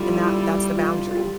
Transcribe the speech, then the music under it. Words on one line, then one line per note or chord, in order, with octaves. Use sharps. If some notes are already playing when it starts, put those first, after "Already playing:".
and that that's the boundary.
Already playing: G3 E4 F4 A4
E4
E4
F4
F4
G4